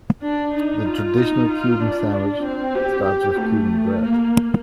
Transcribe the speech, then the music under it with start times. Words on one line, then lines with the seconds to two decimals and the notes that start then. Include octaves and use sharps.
The traditional Cuban sandwich starts with Cuban bread.
0.22 D4
0.54 D#4
0.85 F4
1.17 D#4
1.48 F4
1.80 D4
2.43 C4
2.75 G4
3.07 G4
3.38 A3
4.01 A#3